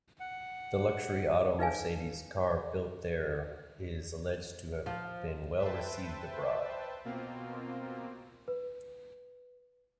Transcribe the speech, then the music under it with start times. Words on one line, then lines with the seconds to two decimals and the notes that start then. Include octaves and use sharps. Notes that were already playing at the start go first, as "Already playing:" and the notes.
The luxury "Otto-Mercedes" car built there is alleged to have been well received abroad.
0.20 F#5
1.59 D#4 B4 F5 G#5
4.86 F3
5.58 B4 C5 E5 G5 A5
7.05 B2 A#3 C4 F4
8.48 B4